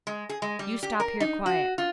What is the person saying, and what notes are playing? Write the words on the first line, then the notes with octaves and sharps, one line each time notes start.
You stop here quiet.
G#3
G#4
G#3
G3
G4
A#4
D#4
F#4
F4